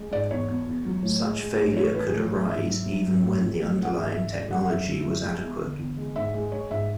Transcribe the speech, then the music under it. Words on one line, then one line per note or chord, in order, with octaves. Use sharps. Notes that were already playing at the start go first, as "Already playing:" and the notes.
Such failure could arise even when the underlying technology was adequate.
Already playing: G#3
G#2 D5
E2 C#5
B2
E2
F#3
A2
G#3
G#3
A2
A2 C#5
E3 B4
G#4
A2 A4
G#3
G#2 E5
F#3
F#3
G#2
A2
E3
A2
G#3 F#5
G#2 E5
E3 E5
G#2 D5
G#3 F#5
F#5
F#2 E5
D3
F#2
G#3
E2
D3
E2
G#3
G#2 E5
G#3
G#3 C#5
G#2 E5